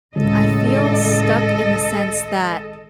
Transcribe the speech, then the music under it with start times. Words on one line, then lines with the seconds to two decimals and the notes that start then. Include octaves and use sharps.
I feel stuck in the sense that
0.16 G#1 C#2 A2 C#3 G#3 A4 D#5